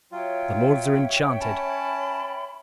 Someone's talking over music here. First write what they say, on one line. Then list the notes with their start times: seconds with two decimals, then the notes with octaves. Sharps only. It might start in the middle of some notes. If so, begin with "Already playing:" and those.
The lords are enchanted.
0.12 F#3 F4 C#5 E5 G5
1.40 C#4 A5 B5